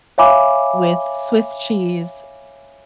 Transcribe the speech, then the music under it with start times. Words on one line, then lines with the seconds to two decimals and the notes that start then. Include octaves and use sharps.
with swiss cheese,
0.18 C#5 E5 F5 G#5 B5 D6